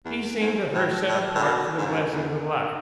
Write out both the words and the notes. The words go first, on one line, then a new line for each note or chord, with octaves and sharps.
He seemed to her set apart for the blessings of life.
E2
G#2
A2
A2
A2
B2
G#2
F#2
G#2
E2